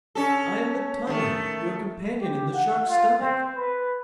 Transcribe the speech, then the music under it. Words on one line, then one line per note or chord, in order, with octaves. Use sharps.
"I am the Tunny, your companion in the Shark's stomach."
C#4 A4
D#3 A3
G4
F#5
F4
C4
B4